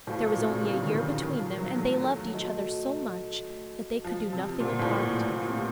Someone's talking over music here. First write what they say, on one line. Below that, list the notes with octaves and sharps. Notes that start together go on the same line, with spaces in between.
There was only a year between them, and they loved each other so much that they could do nothing apart.
A2 F#4 C5 F5 A5
A#2
C3
C#3
D#3
D#3
D#3
F3
F#3
A3
F#4 A4 D#5 A5
F3
C3
A#2 A#3 F4 C5 F#5 A5
A2
A#2
A2
A#2
C3